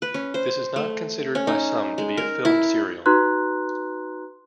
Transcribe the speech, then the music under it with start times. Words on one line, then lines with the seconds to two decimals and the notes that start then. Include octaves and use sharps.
This is not considered by some to be a film serial.
0.02 B4
0.14 C#4
0.34 C5
0.76 A3
1.35 C#4
1.47 D#4
1.98 G#3
2.17 A#4
2.45 E4
3.06 D#4 F#4 B4 A#5 C6 F#6